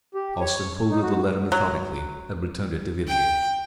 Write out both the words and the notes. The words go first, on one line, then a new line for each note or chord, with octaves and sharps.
Austin folded the letter methodically, and returned it to Villiers.
G4
C#5
D#4
F#4
F#3
G5